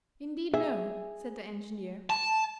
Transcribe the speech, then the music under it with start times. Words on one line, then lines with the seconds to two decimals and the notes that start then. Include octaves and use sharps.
'Indeed, no,' said the engineer.
0.54 G#4 E5
2.10 A5